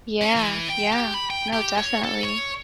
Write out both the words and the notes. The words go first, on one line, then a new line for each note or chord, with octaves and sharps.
Yeah, yeah, no, definitely.
C#4
E3
G5
G4
B5
G5
G4
C#5
A4
C#5